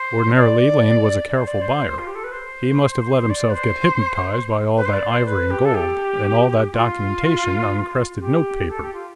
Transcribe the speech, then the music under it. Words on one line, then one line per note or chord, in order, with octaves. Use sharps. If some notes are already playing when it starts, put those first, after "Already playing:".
Ordinarily, Lane was a careful buyer; he must have let himself get hypnotized by all that ivory and gold, and all that documentation on crested notepaper.
Already playing: C5
D5
C5
D5
C5
F4
G4
A4
B4
C5
C5
D5
B4
C5
B4
C5
D5
C5
B4
G4
A4
G4
F4
G4
A4
G4
F4